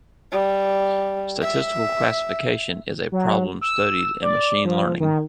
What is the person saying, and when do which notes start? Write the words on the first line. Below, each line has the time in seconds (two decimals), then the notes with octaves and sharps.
Statistical classification is a problem studied in machine learning.
0.32 G3
1.42 E5
3.12 F#3
3.61 E6
4.23 D5
4.65 F3
5.00 D#3